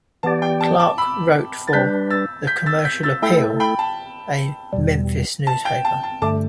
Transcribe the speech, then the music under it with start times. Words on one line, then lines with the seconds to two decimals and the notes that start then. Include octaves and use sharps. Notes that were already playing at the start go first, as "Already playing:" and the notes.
Clark wrote for "The Commercial Appeal", a Memphis newspaper.
0.23 E3 B3 G4 D5 A5
0.42 G5
0.61 A5
0.80 A5 D6
0.98 B5 E6
1.68 A6
1.73 G3 D4 B4 G6 B6
2.10 E6 A6
2.47 G6 B6
2.66 E6 A6
2.85 G6 B6
3.03 E6 A6
3.22 A3 E4 A4 G5
3.60 G5 B5
3.79 A5
4.73 E2 B2 G3
5.47 A5
5.65 G5
5.85 A5
6.03 A5
6.22 G2 D3 A3 A5 D6